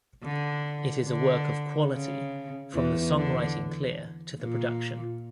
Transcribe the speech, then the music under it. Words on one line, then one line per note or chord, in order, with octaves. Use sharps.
It is a work of quality, from the songwriting clear to the production.
D3
D3
C#3
E2 E3
D3
A#2